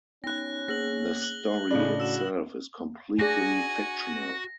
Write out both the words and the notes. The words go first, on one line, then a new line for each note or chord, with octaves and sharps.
The story itself is completely fictional.
B3 C#4 D#4 F#6 A#6
A#3 G#4 A#6 F#7
F#6 F#7 G7
A2 C#3 G#3 D4 F5 B5
F#4 E6 E7
D4 F#4 G#4 D5 G#5 A#6